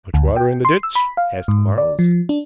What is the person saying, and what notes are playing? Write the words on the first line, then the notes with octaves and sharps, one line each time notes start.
"Much water in the ditch?" asked Quarles.
D2
G5
C6
E6
B5
F5
G#2
D5
F3
D4